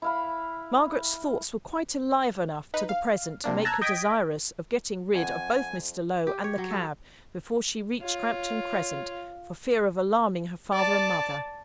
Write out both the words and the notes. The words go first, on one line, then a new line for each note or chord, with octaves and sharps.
Margaret's thoughts were quite alive enough to the present to make her desirous of getting rid of both Mr. Lowe and the cab before she reached Crampton Crescent, for fear of alarming her father and mother.
E4 F5 B5
D#4 B4
F5
C3 A#3 D4
A5 A#5 E6 F#6 G#6
D#5 G5 G#6 A#6 B6 D7
F2 F#5 G#5
G4
C#5
F#3
A4
F4 C#5
D5 A5